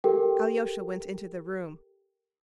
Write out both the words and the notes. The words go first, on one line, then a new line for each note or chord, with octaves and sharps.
Alyosha went into the room.
G4 A4 A#4 G5